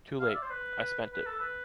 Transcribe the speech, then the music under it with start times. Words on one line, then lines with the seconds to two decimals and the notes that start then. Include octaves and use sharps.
Too late. I spent it.
0.20 F5
0.27 E5
0.35 D5
0.43 C5
0.50 B4
1.13 B4
1.26 A4
1.39 B4